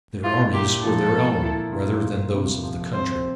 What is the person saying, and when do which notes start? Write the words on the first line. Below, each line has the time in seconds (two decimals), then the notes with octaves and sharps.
Their armies were their own rather than those of the country.
0.23 E4 F4
0.53 A#2 G4
0.84 F3 A4
1.13 A#3
1.43 E4
1.73 A#2
2.03 F4
2.33 C3
2.63 F3
2.93 C4 C5